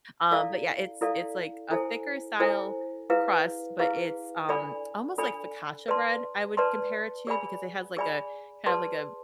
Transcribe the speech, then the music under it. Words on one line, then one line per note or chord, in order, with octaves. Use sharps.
Um, but, yeah, it's it's, like, a thicker style crust, but it's, um, almost, like, focaccia bread, I would compare it to because it has, like, a, kind of, like, a
E4 A4 D5 F5
E4 A4 D5 F5
E4 A4 C5 G#5
E4 A4 C5 G#5
E4 G#4 B4 F5
E4 G#4 B4 F5
D4 A4 D5 G#5 B5
D4 A4 D5 G#5 B5
B4 D5 A5 C6
B4 D5 A5 C6
G#4 D5 G#5 B5
G#4 D5 G#5 B5
G#4 B4 D5 A5 C6